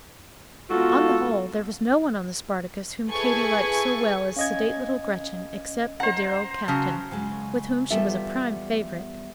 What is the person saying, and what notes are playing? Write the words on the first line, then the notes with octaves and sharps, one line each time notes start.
On the whole, there was no one on the "Spartacus" whom Katy liked so well as sedate little Gretchen except the dear old Captain, with whom she was a prime favorite.
G#2 B2 F4 F#4 A4
E4 G#4 A4 B4 G#5 C#6
C#4 D#5 F5 G#6
C5 F#5 A#5
C#3 F#3 A5 F6 B6
C#3 F#3 G#3
E2 G3 B3 F4 A4 E5